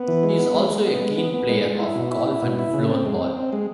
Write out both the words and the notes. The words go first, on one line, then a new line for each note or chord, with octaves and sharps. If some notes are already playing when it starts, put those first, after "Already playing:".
He is also a keen player of golf and floorball.
Already playing: B3
E3
G#3
B3
G#3
G#3
B3
G#3
B3
B3
G#3
G#3
E4
B2
E4
E4
B2
E4
C#3
C4
G#3
C4
C4
G#3